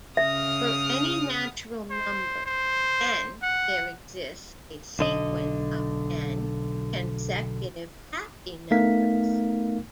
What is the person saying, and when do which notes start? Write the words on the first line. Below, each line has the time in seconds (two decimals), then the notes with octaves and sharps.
For any natural number "n", there exists a sequence of "n" consecutive happy numbers.
0.17 C#3 E5 D#6 F6
1.90 C5
2.46 C5
3.42 F#5
4.99 B1 D3 D#5
8.71 A3 B3 D#4 A#4 F5 B6